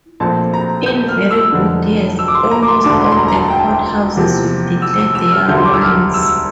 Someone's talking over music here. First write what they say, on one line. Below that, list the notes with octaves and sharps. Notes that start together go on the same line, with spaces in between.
In very good years, almost all the port houses will Declare their wines.
A#1 A#2 A3 C4 A5
A#5
G6
F6
E6
F1 F2 D3
E6
D6
C6
A#5
D6
C6
E1 D2 D3 A3 D4 D6
C6
C6
A#5
A#5
A5
G5
A5
G5
E2 C3 F3 A#3
E6
E6
E6
F6
E1 D2 D3 G3 D4 G6
C6
D6
E6
F6
E6